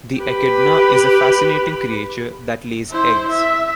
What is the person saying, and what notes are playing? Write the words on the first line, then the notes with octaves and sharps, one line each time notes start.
The echidna is a fascinating creature that lays eggs.
G4 B4
E4 C5
E5